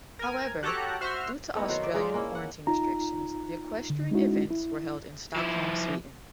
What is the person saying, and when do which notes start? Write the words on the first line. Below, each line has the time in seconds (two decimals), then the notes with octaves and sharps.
However, due to Australian quarantine restrictions the equestrian events were held in Stockholm, Sweden.
0.19 A#4 G#5
0.63 F#4 G4 A4 C#5 A#5 F#6
1.01 F#4 C5 E5 C6 F6
1.55 A3 B3 D#4 E4
1.68 D#3 F#3 C5 F#5
1.82 D5 E5
1.94 G#3 D#4 F4 D5
2.14 A#3 C#4 E4
2.35 F#5
2.67 D#4 F4 A#5
3.90 D3
4.11 G#3 C#4 D#4 E4 F#4
4.51 E4
5.36 F3 E4